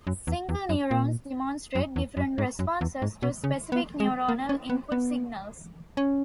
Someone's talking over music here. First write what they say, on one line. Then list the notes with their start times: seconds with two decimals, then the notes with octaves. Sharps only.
Single neurons demonstrate different responses to specific neuronal input signals.
0.07 F#2
0.27 E2
0.49 E2
0.69 F#2
0.91 A#2
1.75 F#2
1.96 E2
2.17 F#2
2.38 G#2
2.59 F#2
2.81 E2
3.02 G#2
3.22 B2
3.44 C#3
3.72 B3
4.00 G#3
4.29 A#3
4.49 C#4
4.70 B3
4.92 B3
5.97 C#4